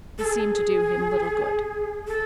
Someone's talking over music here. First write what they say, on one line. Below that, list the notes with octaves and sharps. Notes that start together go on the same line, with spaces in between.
This seemed to do him little good.
A4
G#4
A4